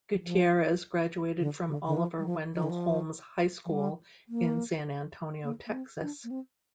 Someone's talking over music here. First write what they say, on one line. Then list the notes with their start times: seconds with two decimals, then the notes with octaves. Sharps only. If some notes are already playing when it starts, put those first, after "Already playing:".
Gutierrez graduated from Oliver Wendell Holmes High School in San Antonio, Texas.
0.23 F3
1.39 D3
1.68 D3
1.86 D3
1.97 F3
2.18 G3
2.26 F3
2.54 F3
2.63 D3
2.70 F3
3.65 F3
3.71 G3
4.28 A#3
5.44 A#3
5.67 A#3
5.73 C4
6.02 D4
6.24 A#3
6.31 C4